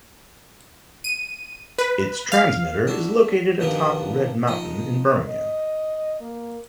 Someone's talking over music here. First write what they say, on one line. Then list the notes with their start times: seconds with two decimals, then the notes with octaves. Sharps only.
Its transmitter is located atop Red Mountain in Birmingham.
1.04 D#7
1.78 B4
2.32 F5
2.87 D4 E4 F#4
3.60 G2 B2 D#3 F3 B3
4.47 F3 D#4
5.29 D#5
6.21 A#3